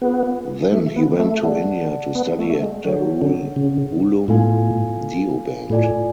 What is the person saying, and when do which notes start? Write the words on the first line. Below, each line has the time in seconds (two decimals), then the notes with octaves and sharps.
Then he went to India to study at Darul Ulum Deoband.
0.01 B3 F4 G#4 B4
0.72 A3
0.96 B3
1.19 A3
1.43 G#4 D5 F#5 A5
2.15 B3
2.39 A3
2.50 A3
2.62 G#3
2.85 F#3 G#4 C#5 F#5
3.21 D3
3.56 C#3
4.28 A2 B3 F4 A4 F5 G#5
5.70 A2 F4 A4 D5 G#5